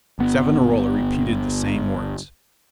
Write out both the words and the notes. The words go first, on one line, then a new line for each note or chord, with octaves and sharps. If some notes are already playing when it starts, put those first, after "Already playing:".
Savonarola repeated the same words.
G1 B3